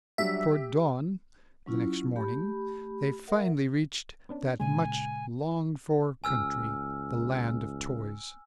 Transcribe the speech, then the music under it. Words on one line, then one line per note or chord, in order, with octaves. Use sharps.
Toward dawn the next morning they finally reached that much-longed-for country, the Land of Toys.
F#3 G3 D4 E5
G4
F#3 C#4 E4 F4
A3 G4 B5
A#4 E5 F#5
B3 C#4 D4
A#2 C#3 G#3 G#5
C#2 G#5 E6 F6